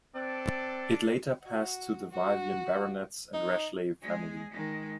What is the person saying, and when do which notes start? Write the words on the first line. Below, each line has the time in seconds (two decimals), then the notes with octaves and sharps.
It later passed to the Vyvyan baronets and Rashleigh family.
0.15 C4 D4 A4 D5
1.43 F#4
2.10 F#4
3.34 D#4
4.02 G#3 G#4
4.52 D#3 G#3